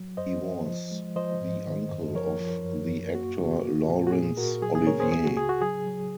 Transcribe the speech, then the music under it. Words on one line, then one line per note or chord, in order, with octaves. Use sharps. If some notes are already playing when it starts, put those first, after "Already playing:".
He was the uncle of the actor Laurence Olivier.
Already playing: F#3
F#2 C5 D#5
F3
F3
G#3
F3 C5 D#5
G#2
D#3
F#2
F3 A#4 C#5
F3
F#2
F#2
A#3 F#4
C#3
A#3
A#2
F#4
A#2 G#4
A#2 F#4 A#4
F#3 G#4
G#4
C#4 A#4 C#5
G#4 C5
C#2 G#4
F#4
C#3 G#4
F#4
F#3 G#4
F#3